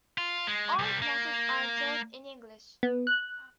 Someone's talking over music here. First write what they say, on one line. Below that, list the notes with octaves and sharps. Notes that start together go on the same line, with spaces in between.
All classes are taught in English.
F4
G#3
C2 G3
A#3
B3
F#6